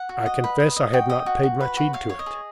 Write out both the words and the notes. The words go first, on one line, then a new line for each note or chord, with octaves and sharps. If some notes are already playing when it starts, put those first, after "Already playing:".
I confess I had not paid much heed to it.
Already playing: F#5
F#4
D#5
B4
D#5
D#5
F#4 G5
D#5
F#4
F#4
B4
F#4
C#5 F5
C#5
D#5
G#4